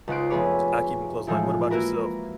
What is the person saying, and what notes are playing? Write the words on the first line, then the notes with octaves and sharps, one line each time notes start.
I keep 'em close, like What about yourself?
C#2 D#4 C5 F#5 C7 D7
F1 B3 G#4 B4 C#5 D6
A2 E3 F3 G#3 D#4 E4
A#3 E4 F#4 A#4 B4